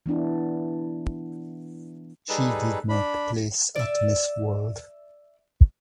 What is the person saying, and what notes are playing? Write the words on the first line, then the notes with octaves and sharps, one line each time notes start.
She did not place at Miss World.
E3 B3 D4 E4
G3 D#4 G#4 A4 B4
D4 B5
D5 E5